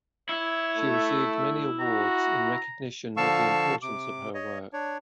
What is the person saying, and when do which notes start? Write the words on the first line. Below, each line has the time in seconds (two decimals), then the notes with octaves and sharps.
She received many awards in recognition of the importance of her work.
0.29 E4 C#5
0.78 A3
1.80 F#4 A#5
3.17 D3 F3 F5 A5 C#6 E6
3.82 C3 D6
4.34 C#5 D#5
4.73 D4 C#5